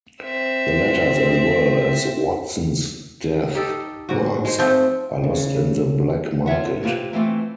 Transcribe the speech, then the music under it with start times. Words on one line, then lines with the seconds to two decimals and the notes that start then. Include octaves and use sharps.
The letters as well as Watson's death mask are lost in the black market.
0.22 C4 E5
3.53 D#4 G4 A4
4.09 G#2 F#4
4.45 G#3 C5
4.59 F3 A3 C4
5.24 C#3
6.46 F4 C#5 E5 F#5
6.83 C3 A#3 F4 B4
7.13 E3 A3 C4 F4